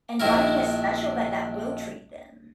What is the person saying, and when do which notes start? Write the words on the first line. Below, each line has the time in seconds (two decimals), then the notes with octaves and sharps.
And finding a special vet that will treat them.
0.20 A#1 D#3 E4 A#4